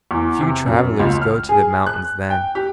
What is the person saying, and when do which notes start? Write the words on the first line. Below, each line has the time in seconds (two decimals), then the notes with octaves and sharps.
Few travellers go to the mountains then.
0.11 E2
0.41 C3
0.66 F#2
1.00 C#2
1.21 F6
1.49 G#4
1.86 F#6
2.30 G5
2.55 G4